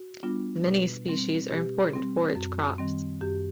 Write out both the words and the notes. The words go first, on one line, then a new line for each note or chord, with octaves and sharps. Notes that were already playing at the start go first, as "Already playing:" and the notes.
Many species are important forage crops.
Already playing: F#4
G3 B3 D4 F4
B2
G3 C4
B2 G4
G3 C4
F#2
D#3 G3 C4
F#2 G4